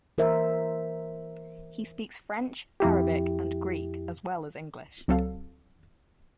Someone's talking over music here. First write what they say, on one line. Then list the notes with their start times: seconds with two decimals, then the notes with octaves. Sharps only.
He speaks French, Arabic, and Greek as well as English.
0.18 E3 A#4 C5 E5
2.80 F2 E4 G4
5.08 C#2 F#3 C4 A4 F5